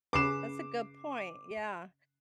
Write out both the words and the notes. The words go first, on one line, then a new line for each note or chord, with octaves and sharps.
that's a good point, yeah,
C#3 B4 D6 C7 E7